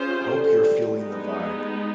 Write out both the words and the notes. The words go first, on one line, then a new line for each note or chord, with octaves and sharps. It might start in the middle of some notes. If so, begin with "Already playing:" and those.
Hope you're feeling the vibe!
Already playing: C#4 F4 G#4 C5
C3
D3
D3
G3
G#3 B3 D#4